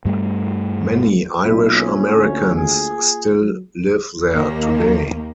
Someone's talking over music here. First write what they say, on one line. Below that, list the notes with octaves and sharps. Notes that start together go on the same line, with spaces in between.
Many Irish-Americans still live there today.
G2 G3 A3
B1 A#3 D4 F4
C#4
D2
G#4
F#3
D#2 D#3 A#3